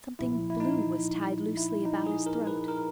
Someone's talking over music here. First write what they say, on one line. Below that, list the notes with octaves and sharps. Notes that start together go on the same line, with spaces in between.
Something blue was tied loosely about his throat.
C2 A#2 F3 E4
E4
D#4
E4
D#4
G#4
A#4
B4
A#4